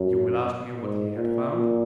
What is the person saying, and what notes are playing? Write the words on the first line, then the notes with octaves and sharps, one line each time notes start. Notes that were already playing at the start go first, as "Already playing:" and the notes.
You will ask me what he had found?
Already playing: F#2
G#2
A#2
A#2